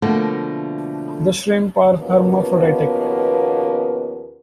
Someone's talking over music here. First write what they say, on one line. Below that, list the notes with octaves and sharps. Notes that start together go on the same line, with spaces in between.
The shrimp are hermaphroditic.
B2 D3 F3 A3 A#3
D#2 B2 F3 A#3 B3 C#4